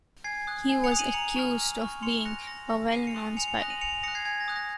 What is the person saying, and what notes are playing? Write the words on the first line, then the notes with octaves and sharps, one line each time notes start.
He was accused of being "a well known spy".
G#5 G#6 C7
D#6 F#6
G#5
C#7 F7
D#6 F#6
D#7 F#7
A#5 C#7 F7
C#6 F6
A#5
C#6 F6
C6 C#7 F7
F#6 A#6 C#7
C6 A#6 C#7
F#6 A#6 C#7
G#5 C7 D#7
C#7 F7
C6 D#6 F#6
G#5 C#7 F7
C#7 F7
C6 D#6 F#6 A#6
D#7 F#7
G#5 C#7 F7
D#6 F#6 A#6 C#7
G#6 C7
G#5 G#6
A#6
D#6 F#6
A#6